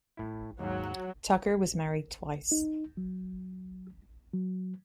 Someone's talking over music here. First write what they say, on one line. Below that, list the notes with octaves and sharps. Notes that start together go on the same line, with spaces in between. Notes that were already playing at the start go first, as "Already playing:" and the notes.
Tucker was married twice.
A2 E4
D#2 G#2 F#3
D#4
F#3
F#3